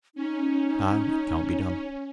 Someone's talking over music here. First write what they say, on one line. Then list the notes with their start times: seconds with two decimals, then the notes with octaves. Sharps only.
Now, it can't be done.
0.15 C#4 D#4